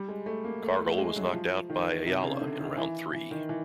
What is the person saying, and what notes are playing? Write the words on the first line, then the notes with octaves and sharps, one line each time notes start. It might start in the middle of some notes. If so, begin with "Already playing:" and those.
Cargle was knocked out by Ayala in round three.
Already playing: G3
G#3
A3
A#3
A3
A3
G#3
F#3
F3
D#3
C3
C#3
D3
D#3
E3
E3
D#3
E3